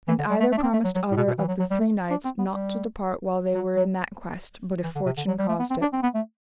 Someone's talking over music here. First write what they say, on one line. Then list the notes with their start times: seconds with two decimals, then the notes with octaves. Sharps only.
And either promised other of the three knights not to depart while they were in that quest, but if fortune caused it.
0.08 E3
0.19 D3
0.30 G3
0.40 A3
0.52 A3
0.58 D4
0.63 C4
0.73 A3
0.84 F#3
0.95 F#3
1.12 A2
1.17 B2
1.28 B2
1.38 E3
1.48 F#3
1.59 F#3
1.71 G3
1.81 A3
2.11 D4
2.25 C4
2.39 B3
2.53 G3
3.55 F#3
3.77 F#3
4.84 E3
4.95 D3
5.06 C3
5.17 D3
5.28 F#3
5.39 G3
5.49 A3
5.59 B3
5.70 C4
5.82 D4
5.93 C4
6.03 B3
6.15 A3